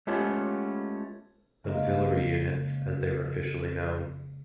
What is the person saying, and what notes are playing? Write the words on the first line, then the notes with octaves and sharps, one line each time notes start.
Auxiliary Units, as they were officially known.
G#3 A3 B3 C#4 F4 G4
C#3 G#3 A#3